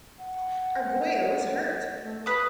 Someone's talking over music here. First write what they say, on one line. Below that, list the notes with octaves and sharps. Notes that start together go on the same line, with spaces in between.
Arguello is hurt!!
F#5
A3
B4 B5 D#6